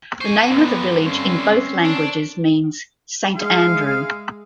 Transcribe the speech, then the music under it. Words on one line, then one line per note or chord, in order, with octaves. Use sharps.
The name of the village in both languages means "Saint Andrew".
C5 G#5 C#6
G2 D3 B3
C4 C#4
D4
G#3 G#4 E5 F5